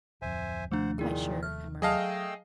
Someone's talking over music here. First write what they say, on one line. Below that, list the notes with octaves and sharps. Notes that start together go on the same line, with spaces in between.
"Quite sure," I murmured.
D1 F2 C5 E5 G#5
D#2 C3 F3 A3 D4 C5 F#5
A#2 D#3 E4 G#4
A3 F6
F#3 A3 G#4 D#5 F5 G5 A5 E6